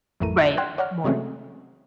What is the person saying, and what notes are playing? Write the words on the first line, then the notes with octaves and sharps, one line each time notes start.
Right. More.
A1 F2 E3 A3 A#4 D#7
F#5 G5 C6 F6 F#6 G#6
C#5 D5 F#5 A#5 F6
C3 F#3 G#3 A3 C4 C#4